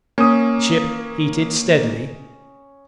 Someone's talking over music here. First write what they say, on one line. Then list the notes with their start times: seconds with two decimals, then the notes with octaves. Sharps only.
The ship heated steadily.
0.18 A#3 C#4 D#6